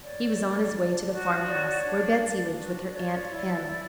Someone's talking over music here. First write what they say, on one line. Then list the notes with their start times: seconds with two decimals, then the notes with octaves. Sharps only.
He was on his way to the farmhouse where Betsey lived with her Aunt Hannah.
0.02 C#5 D5
0.38 D4
0.74 D4
1.11 F#4
1.47 C#5 D5
1.83 D4
2.19 D4
2.55 F#4
2.92 C#5 D5
3.28 E4
3.64 E4